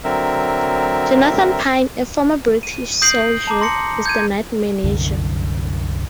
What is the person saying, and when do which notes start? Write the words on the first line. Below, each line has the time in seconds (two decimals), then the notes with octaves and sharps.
Jonathan Pine, a former British soldier, is the night manager.
0.04 D3 F#3 C4 A#4 E5
2.63 D#7
3.02 D#6 G6 A#6 C7 D7 F#7
3.47 A5 A#5 D6
3.61 C6 A#6 C#7
4.06 G6 G#6 D#7
4.84 C2 F#2 D3